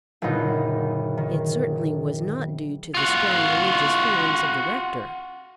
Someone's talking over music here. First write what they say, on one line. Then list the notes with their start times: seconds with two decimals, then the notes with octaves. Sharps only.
It certainly was not due to the strong religious feelings of the rector.
0.22 F#1 A#2 D3 B3 D#4
1.18 D#3
2.94 F4 F#4